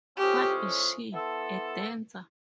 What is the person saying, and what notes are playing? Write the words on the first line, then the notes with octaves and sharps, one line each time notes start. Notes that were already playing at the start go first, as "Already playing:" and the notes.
What is she — a dancer?
A2 F3 G#3 C#4 G4
B3 E4 A4 C5